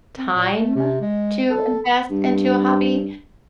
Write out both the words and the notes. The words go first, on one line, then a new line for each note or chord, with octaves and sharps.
time to invest into a hobby.
C4
A#2
A3
C3
G#3
A4
G2